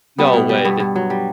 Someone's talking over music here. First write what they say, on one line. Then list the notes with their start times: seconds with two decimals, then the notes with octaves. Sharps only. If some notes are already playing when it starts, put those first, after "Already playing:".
No way, they
0.18 G3 B3
0.33 B2
0.49 G3
0.65 G2 B3
0.80 G2
0.96 F#3
1.10 G3